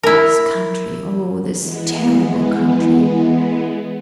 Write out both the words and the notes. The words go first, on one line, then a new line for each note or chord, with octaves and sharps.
This country, O this terrible country!
E4 A#4
E3 G#3 B3